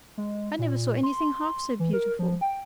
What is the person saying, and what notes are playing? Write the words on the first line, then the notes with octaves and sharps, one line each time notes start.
I never saw anything half so beautiful!
G#3
A#2
C6
E3
A#4
F3
G5